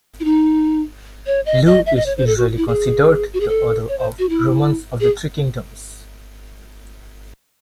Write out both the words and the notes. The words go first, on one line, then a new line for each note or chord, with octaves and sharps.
Luo is usually considered the author of "Romance of the Three Kingdoms".
E4
D#4
C#5
D#5
D#5
E5
D#5
C#5
C5
A4
F#4
E4
G#4
F#4
G#4
A4
C#5
C5
F#4
E4
G#4